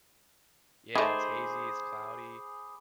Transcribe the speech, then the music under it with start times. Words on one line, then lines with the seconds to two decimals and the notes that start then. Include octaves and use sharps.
Yeah, it's hazy, it's cloudy.
0.95 D#3 A3 G#4 C5 G#5 B5 D6